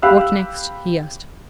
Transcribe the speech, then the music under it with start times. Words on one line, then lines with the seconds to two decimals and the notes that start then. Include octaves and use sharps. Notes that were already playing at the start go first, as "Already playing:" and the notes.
"What next?" he asked.
0.02 G4 F5 B5 E6 F#6